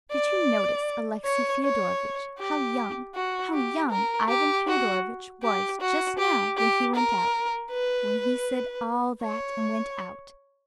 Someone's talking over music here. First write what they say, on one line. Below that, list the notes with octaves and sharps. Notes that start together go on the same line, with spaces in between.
Did you notice, Alexey Fyodorovitch, how young, how young Ivan Fyodorovitch was just now when he went out, when he said all that and went out?
D5
C#5
C#5
G4
F#4
G4
A#4
G4
F#4
G4
F#4
G4
G4
A#4
B4
C#5